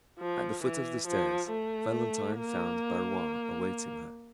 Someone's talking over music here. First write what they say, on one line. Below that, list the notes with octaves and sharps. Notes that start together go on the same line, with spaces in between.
At the foot of the stairs, Valentine found Barrois awaiting her.
F3
E3
F3
A3
A#3